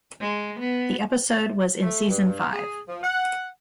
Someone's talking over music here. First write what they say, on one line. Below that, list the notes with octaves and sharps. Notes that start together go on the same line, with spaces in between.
The episode was in season five.
G#3
B3
A3
G2
G#4
F3
F#5